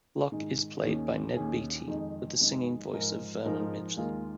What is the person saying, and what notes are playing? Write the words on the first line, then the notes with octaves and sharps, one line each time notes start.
Locke is played by Ned Beatty, with the singing voice of Vernon Midgley.
G#2 D#3 G#3 D#4
D#2 D#3 C#4 G#4
D#2 D#3 C#4 G#4
F2 D#3 G#3 D#4 G#4
F2 D#3 G#3 D#4 G#4
G#2 F3 G#3 D#4 A#4
G#2 F3 G#3 D#4 A#4
D#2 D#3 G#3 F4 A#4